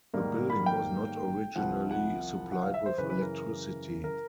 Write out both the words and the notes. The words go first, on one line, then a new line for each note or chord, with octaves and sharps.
The building was not originally supplied with electricity.
G#2 D#3 G3 A#3
B5
G5
C2 C3 F3 F#5
F#5
F#5
F5
E5
C5
F#2 C#3 E3 B4
B4
A#4
A#4